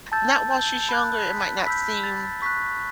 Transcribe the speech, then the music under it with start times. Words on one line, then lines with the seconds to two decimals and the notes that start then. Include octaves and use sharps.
not while she's younger, it might not seem,
0.12 A5 E6 G6 A6
0.50 G6
0.89 B5 F#6
1.27 B6
1.66 B5 E6 G6 B6
2.04 A6
2.42 C#6 F#6 B6